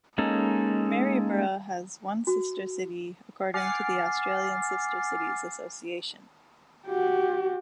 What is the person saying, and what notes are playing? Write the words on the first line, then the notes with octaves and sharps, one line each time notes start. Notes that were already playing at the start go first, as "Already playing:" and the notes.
Maryborough has one sister city, according to the Australian Sister Cities Association.
G#3 A#3 C#4 D#4 A4
F#4
F#5 G#5 D6 F6 A6 C7
F#4 G4